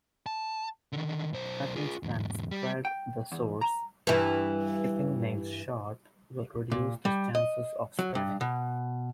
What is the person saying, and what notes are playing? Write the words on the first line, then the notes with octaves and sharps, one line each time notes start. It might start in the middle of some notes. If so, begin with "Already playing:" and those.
Scratching can spread the sores; keeping nails short will reduce the chances of spreading.
A5
D3 D#3
B1 C5
F4 G#4
E2 G#2
G3
G5
E2
A#5
G2 E3
A#2
G3
D#5
F#3
G2
B2